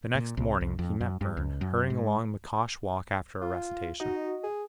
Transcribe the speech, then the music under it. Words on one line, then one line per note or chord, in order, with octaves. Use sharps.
The next morning he met Burne hurrying along McCosh walk after a recitation.
A#2
C2
C2
F2
F#2
G2
C#2
F#2
G#2
F4
D#4 F#4 D#5
G#4